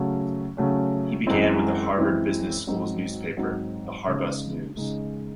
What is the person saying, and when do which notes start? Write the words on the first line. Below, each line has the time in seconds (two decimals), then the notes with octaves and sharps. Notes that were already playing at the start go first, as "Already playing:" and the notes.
He began with the Harvard Business School's newspaper "The Harbus News".
Already playing: C#3 F#3 A3 C#4
0.57 C#3 F#3 A3 C#4
1.27 F#2 E3 G#3 C4 E4
1.96 F#2 E3 G#3 C4 E4
2.67 G#2 F#3 C4 D#4 F#4
3.37 G#2 F#3 C4 D#4 F#4
4.07 C#3 G#3 D#4
4.77 C#3 G#3 D#4